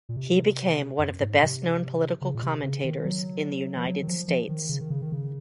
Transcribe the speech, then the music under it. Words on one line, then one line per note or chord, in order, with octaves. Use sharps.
He became one of the best-known political commentators in the United States.
A#2
C3
F#2
G#2
C3
C#3
A#2
C3
C#3
D#3
F#3
F3
F#3
D#3
F3
F3
D#3
C#3
D#3
C#3
D#3
C#3